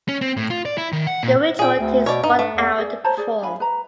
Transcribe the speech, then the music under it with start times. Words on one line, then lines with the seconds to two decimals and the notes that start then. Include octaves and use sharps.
The ritual takes one hour to perform.
0.09 C#4
0.21 C4
0.37 A2
0.50 F4
0.65 D5
0.78 E4
0.93 D#3
1.07 F#5
1.23 A#2
1.59 A#2 G#4 G5
1.77 D2
2.06 B2 C#5 D5
2.24 G2 D#4
2.39 A3
2.54 E2
2.78 G#4 D5
3.04 C5 C#5 A5 A#5
3.17 G#4 D5
3.42 D4 F5 G#5 B5
3.60 B4 A#5